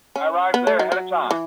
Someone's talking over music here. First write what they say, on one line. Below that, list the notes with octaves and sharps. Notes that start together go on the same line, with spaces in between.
I arrived there ahead of time.
C#4
B3
A3
F#3
F#3
E3